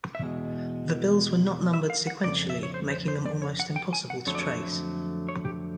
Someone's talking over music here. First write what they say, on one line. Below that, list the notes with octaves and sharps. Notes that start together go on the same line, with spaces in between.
The bills were not numbered sequentially, making them almost impossible to trace.
E5
E2 B2 G#3
E5
F5
F#5
F2 C#3 D5
E5
C#5
C5
C5
C5
D5
C#5
F#5
G5
G#5
F#5
F2 D3 F#3 A3 C#5
D5
C#5
C#5
G4